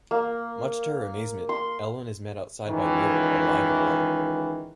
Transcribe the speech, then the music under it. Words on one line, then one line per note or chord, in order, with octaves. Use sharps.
Much to her amazement, Ellen is met outside by Lori, alive and well.
A#3
C6
C#2 D#3 E3